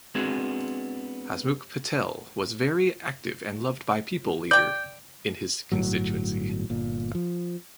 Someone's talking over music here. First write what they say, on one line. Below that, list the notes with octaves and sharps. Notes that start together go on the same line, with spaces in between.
Hasmukh Patel was very active and loved by people leader in his constituency.
G#3 B3 C4 D4 F#4 G#4
D5 G5 G6
G1 A2 F#3
G1 A#2
F3